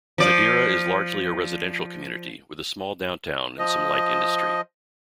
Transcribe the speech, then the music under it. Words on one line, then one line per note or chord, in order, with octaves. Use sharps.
Madeira is largely a residential community, with a small downtown and some light industry.
F3 D5
F3 D#5